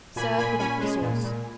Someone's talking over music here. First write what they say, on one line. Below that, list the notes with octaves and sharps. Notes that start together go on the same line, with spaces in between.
Serve with apple-sauce.
A#2 G#5 B5
A#2 G#5 B5
C#4 G#5 B5
G#3
A#2
A#2